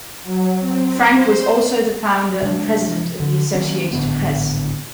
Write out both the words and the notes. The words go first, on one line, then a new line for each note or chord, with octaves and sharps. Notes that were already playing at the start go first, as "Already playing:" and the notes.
Frank was also the founder and president of the Associated Press.
F#3
C4
C5
C3 G#3 D4
D3
D#3 F#3 A#3 C#4
G#1 A2 D3 B3